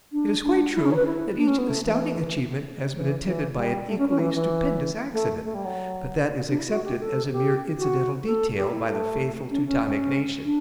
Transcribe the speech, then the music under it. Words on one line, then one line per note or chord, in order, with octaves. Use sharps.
It is quite true that each astounding achievement has been attended by an equally stupendous accident, but that is accepted as a mere incidental detail by the faithful Teutonic nation.
D4
D4
E4
C#4
C#5
B4
E4
D4
C#4
B3
A3
E3
E3
E3
G3
A3
C#4
C#4
E3
E3
A3
A3
G3
F#3
D4
E4
F#4
G4
A4
G4
F#4
A4
G4
E4
A3
C#4
D4
C#4
D4